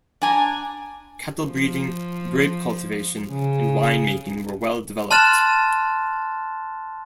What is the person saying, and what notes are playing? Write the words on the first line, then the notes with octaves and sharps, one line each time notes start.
Cattle-breeding, grape cultivation and wine making were well-developed.
D4 G#5 A#5
F3
C#3
A5 C6 F6 F#6 A6 E7